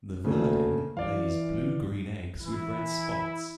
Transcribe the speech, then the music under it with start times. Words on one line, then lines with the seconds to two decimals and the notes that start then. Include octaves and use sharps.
The verdin lays blue-green eggs with red spots.
0.24 D2 C#3 A3 A#3
0.97 E3 D5 F5
2.42 E3 E4